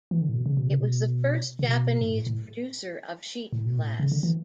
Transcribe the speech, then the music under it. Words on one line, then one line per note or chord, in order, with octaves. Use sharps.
It was the first Japanese producer of sheet glass.
E3
D3
A2
B2
C#3
B2
C#3
B2
C#3
B2
G#2
A2
A2
A2
B2
A2
C#3
D3
E3